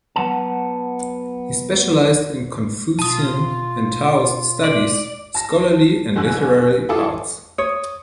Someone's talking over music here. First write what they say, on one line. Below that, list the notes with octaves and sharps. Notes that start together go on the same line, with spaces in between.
He specialised in Confucian and Taoist studies, scholarly and literary arts.
F#3 B3 A5
B2 F4 A5 D#6
D5
A5 A#6
F#1 D3 G#5 E6 F#6
E4 F4 G#4 A4 A5 D6
C#5 D#6